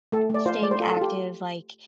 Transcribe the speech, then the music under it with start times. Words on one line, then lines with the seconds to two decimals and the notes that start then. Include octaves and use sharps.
staying active, like,
0.12 A3 A4
0.30 A3 D5
0.46 F4 C5
0.63 A3 D5
0.71 C5
0.80 F4 A4
0.91 A4
0.97 F4 G4